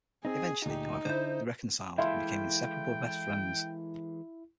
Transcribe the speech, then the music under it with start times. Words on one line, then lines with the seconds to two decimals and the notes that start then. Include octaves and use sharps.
Eventually, however, they reconciled and became inseparable best friends.
0.25 C4 D#4 G#4
0.66 D2 A#2 D#4 G4
1.05 D3 E4 C5
1.98 E3 G#3 E4 A4 E5 F5 G5 C6